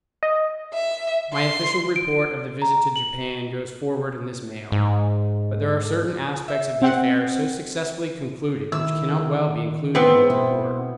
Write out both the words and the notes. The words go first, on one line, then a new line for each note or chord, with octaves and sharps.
My official report of the visit to Japan goes forward in this mail, but there are certain aspects of the affair so successfully concluded which cannot well be included in the report.
D#5
E5
C6
D7
A#5
F#7
G#2
E5
C4 F#5
D#3 E4 E6
E3 B3 C4 G#4 B4
B2 E4